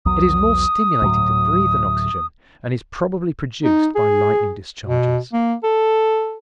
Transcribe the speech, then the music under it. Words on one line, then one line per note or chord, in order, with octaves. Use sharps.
It is more stimulating to breathe than oxygen and is probably produced by lightning discharges.
B1 E2 F#3 D#6
D2 A2 F#3
D#4
G#4
B2
A#3
A4